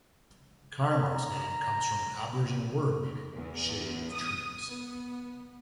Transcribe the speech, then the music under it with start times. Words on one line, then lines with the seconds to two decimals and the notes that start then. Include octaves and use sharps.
Carramar's name comes from an aboriginal word meaning "shade of trees".
1.11 A#5
3.34 E2
4.12 D#6
4.67 B3